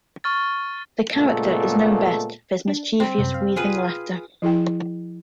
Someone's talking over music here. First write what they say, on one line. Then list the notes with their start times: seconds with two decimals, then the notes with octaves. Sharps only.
The character is known best for his mischievous, wheezing laughter.
0.24 C#6 F6 A6
1.14 A#2 C#3 G#3 A3 B3 A4
2.68 D4
3.00 G3 C4 B5
3.18 F#2 C3
3.34 F5
3.56 F4 G#4 B4
4.42 F3 E4 G#4 G5